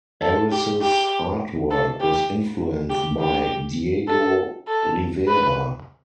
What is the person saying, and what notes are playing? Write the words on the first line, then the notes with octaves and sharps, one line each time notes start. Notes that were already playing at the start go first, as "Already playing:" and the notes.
Ariss's artwork was influenced by Diego Rivera.
A4
G4
G4
A4
G4
G4
G4
A4
A4
B4